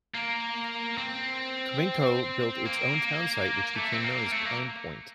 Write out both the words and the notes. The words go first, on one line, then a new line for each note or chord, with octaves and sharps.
Cominco built its own townsite which became known as Pine Point.
A#3
C4
A#3
A3
C4
A#3
A3
A#3